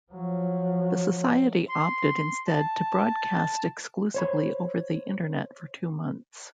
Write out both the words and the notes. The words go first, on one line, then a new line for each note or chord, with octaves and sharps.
The society opted instead to broadcast exclusively over the Internet for two months.
F3 F#3
C6
A5
C5 C#5 B5